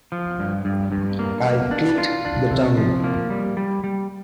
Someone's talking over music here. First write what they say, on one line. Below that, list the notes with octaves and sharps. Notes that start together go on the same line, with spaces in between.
I clicked the tongue.
F3
G2
G2
G2
A#3
A#3
D4
F4
D4
C3
F3
A#3
G3
G3
G3